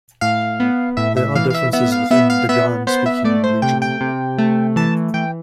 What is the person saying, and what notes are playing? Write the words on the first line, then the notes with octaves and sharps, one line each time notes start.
There are differences within the Gan speaking region.
A2 F5
B3
A2 E5
E5
E3 F5
F5
E5
B3 E5
F5
B3 E5
F5
B3 E5
B3 C5
E5
A3 D5
C5
C3 G5
G5
C3
A3
E3 A5
E3 G5